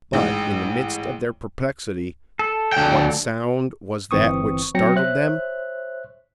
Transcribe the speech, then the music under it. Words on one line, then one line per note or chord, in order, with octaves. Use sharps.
But in the midst of their perplexity, what sound was that which startled them?
A1 G#2
A4
D2 G5
G1 E3 C4 C#6 D#6
F#3 C4 G5 A#6 C#7
C5 C#5 E5 F#6